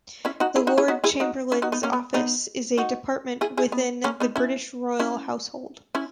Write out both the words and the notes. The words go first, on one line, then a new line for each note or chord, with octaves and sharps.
The Lord Chamberlain's Office is a department within the British Royal Household.
C#4 E4
D#4 F#4
E4 G#4
D#4 F#4
E4 G#4
D#4 F#4
E4 G#4
D#4 F#4
C#4 E4
D#4 F#4
B3 D#4
A#3 C#4
B3
B3 D#4
D#4 F#4
E4 G#4
E4 G#4
B3
A#3 C#4
B3 D#4
C#4 E4
C#4 E4
C#4 E4